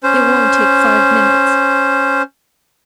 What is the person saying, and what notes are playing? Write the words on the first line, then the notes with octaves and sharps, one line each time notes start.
It won't take five minutes.
C#4 C5